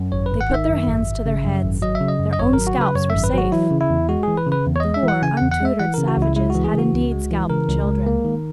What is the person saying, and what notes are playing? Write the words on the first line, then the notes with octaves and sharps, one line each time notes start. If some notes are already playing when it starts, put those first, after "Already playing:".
They put their hands to their heads - their own scalps were safe! The poor untutored savages had indeed scalped the children.
Already playing: F#2
G#1 C#5
G#1 B4
F#5
D#3 E5
F#2
G#1
G#1
C#3
F#2
G#1
F#3 D#5
E5
C#3
D#5
F#2
D#5
G#1 C#5
F#3 A#4
F#4
C#3 B4
F#2 C#5
G#1 E5
B4
F#3 F#4
E3 E4
C#3
E4
E2
G#3 F#4
E3 G#4
B4
C#3
B4
E2
C#5
G#3 D#5
E5
E3 F#5
C#3 G#5
E2 F#5
F#5
G#3 E5
E3 F#5
C#3 A#4
F#4
C#2 E4
G#3 E4
E3 F#4
G#4
C#3 F#4
C#2
G#3
E3
C#3 A#4
C#2
G#3
A#3
D#3